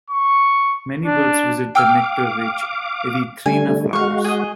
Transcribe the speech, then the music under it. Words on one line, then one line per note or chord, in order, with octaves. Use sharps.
Many birds visit the nectar-rich "Erythrina" flowers.
C#6
D4
F5 G5 D6 E6 F6
D3 G3 A3 G#5
G#3 F#4 F5 C#6
G#4 D#5